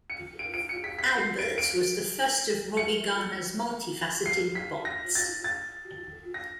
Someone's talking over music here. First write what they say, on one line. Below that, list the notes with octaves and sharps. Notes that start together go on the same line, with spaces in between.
Albert was the first of Robby Garner's multifaceted bots.
C#7
D7
D7
C#7
B6
B6
C7
D7
D7
C#7
C7
B6
A#6
A6
A6
A#6